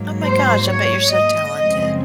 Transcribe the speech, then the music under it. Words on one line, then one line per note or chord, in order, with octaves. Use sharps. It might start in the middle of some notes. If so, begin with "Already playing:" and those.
Oh, my gosh. I bet you're so talented.
Already playing: G#2 F#3 A#3
C5
C#5
D#5
F#2 C#3 F3 G#3 C4 D#5